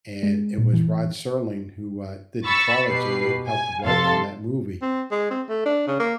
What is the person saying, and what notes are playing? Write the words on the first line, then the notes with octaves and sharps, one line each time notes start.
and it was Rod Serling, who, uh, did The Twilight Zone, who helped write on that movie,
G#3
A#2
E3
B5 C#6 E6 A6
B2 G4 B4 C7
G#5
F2 C3 A4 F5 C6 A6
C4
G#3
C4
A3
D4
C#3
A#3